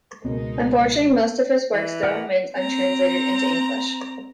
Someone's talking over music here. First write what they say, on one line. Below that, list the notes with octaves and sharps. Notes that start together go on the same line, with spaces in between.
Unfortunately most of his work still remains untranslated into English.
C#2 B2 G#3 A#3 D#4
E3
A#4 F#5
C4 A#5